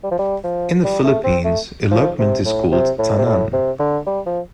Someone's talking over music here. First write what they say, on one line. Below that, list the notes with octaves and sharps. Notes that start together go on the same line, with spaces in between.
In the Philippines, elopement is called "tanan".
G3
F3
G3
F3
G3
A3
C4
A3
F3
C3
A2
C3
A2
C3
A2
C3
D3
G3
F3